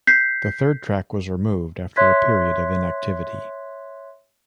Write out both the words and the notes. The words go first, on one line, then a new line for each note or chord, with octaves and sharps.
The third track was removed after a period of inactivity.
G6 B6 C7
C#5 E5 C6 F#6 G#6 B6